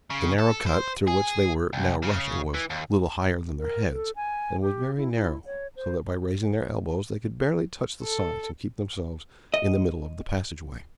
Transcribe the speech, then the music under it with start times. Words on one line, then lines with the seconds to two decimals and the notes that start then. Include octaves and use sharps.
The narrow cut through which they were now rushing was little higher than their heads, and was very narrow, so that by raising their elbows they could barely touch the sides and keep themselves in the middle of the passage way.
0.10 C#3
0.39 A4
0.67 C5
1.07 G#4
1.73 C2
2.03 C#3
2.54 E3
2.70 D#2
3.59 A#4
3.92 A4
4.16 G#5
4.62 G4
4.97 E4
5.15 E4
5.46 C#5
5.76 C5
8.02 A4
9.54 D#5